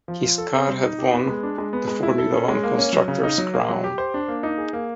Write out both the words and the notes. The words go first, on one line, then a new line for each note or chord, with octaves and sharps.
His car had won the Formula One constructors' crown.
F3
F4
A4
C4
G3
D#4
G4
B3
G#3
D4
G#3
B3
G#3
E4
A4
C#4
G#3
A#3
C#4
F#3
C#3
D#4
F#3
A#3
F#3
G4
C5
D4
A#3
D#4
G#4
A#3